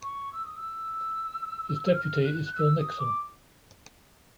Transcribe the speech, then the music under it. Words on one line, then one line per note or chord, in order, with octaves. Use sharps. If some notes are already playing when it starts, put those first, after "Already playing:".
His deputy is Phil Nixon.
C#6
E6
D#6
E6
F6
F#6
E6
D#6
D6